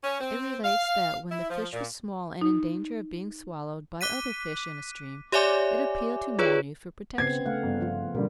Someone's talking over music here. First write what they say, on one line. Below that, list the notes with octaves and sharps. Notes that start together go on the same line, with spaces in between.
It relates that when the fish was small and in danger of being swallowed by other fish in a stream it appealed to Manu for protection.
C#4
C4
F5
E4
F3
A#2
D#4
D6 F#6 B6 D#7
G4 C#5 D5 E5 G#5 D6
F4 G#4 B4 C#5
C#3 B3 C4 G#6 C7
A3 F5 F#5
G1
F3 F4
B2 D3 G3 A#3